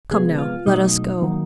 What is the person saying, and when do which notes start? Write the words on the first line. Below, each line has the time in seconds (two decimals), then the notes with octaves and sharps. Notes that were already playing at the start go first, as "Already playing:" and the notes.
"Come now, let us go."
0.11 C3 F3 G#3 B3 G#4
0.38 F4
0.66 B2 F#3 A3 D#4
1.22 D#3 F#3 A#3